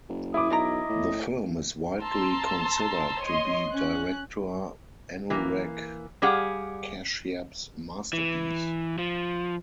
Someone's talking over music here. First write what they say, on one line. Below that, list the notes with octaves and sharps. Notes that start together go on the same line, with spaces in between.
The film is widely considered to be director Anurag Kashyap's masterpiece.
F#1
E4 D6 D#6
B1 C#3 D5 D#5 A#5
A2
A5 A#5 C6 E6
C#5 D#5 C6 D#6
C#4 F#6
E3 A#3
G3 G4 G#4 F5 F#5
E3
F3